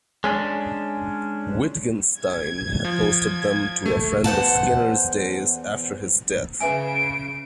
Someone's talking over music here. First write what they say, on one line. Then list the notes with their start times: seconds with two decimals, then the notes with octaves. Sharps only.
Wittgenstein had posted them to a friend of Skinner's days after his death.
0.24 G#3 C#4 D4
2.13 G#6
2.85 F3
3.86 A3
4.24 E2 C5 F#5 A5
6.60 C#3 B4 E5 G#5 D7